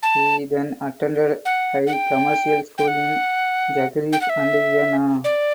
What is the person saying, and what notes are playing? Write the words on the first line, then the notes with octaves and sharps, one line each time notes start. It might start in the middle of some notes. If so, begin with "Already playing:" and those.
He then attended high commercial school in Zagreb and Vienna.
A5
F#5
F#5
G5
G5
F#5
G5
F#5
E5
D5